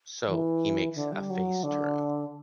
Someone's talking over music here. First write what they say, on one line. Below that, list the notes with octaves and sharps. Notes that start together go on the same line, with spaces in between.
So he makes a face turn.
E3
D3
G3
F#3
D3